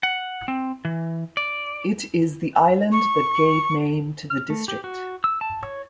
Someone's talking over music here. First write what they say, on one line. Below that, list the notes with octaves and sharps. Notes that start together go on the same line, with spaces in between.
It is the island that gave name to the district.
F#5
C4
E3
D5
C#6
F6
A3
G4
F#4
E6
A5
C#5